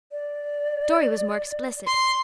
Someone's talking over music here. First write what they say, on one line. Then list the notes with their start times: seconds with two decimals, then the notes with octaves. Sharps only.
Dorry was more explicit.
0.12 D5
1.86 C6